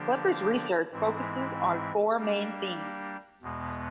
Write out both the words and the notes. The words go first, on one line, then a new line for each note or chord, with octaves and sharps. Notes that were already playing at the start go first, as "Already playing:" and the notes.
Clifford’s research focuses on four main themes.
Already playing: D3 F3 A#3 D4 G4
G#2 E3 G#3 C4 E4
G3 A#3 D4 G4
E2 B2 G#3 B3